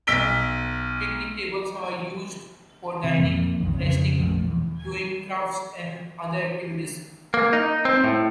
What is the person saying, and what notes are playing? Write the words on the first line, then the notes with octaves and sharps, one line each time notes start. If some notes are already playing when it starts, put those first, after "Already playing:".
Picnic tables are used for dining, resting, doing crafts, and other activities.
B1 E6 B6 D7 G7
C3
F2 A#2
B1 F2 D#3
F2 C#3
A#1 F2 F3 A3
D#1 E2
A#3
D#4
C4
A2